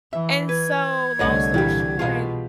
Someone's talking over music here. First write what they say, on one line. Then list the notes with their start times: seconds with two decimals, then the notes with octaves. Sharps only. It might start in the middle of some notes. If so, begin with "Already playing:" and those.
And so, long story short,
0.13 E3 E5
0.49 B4 G#6
1.19 C2 D3 A3 C#5 D#5 F#5
1.54 A#2 E3 G3 G4
1.99 B2 F4 G#4 F5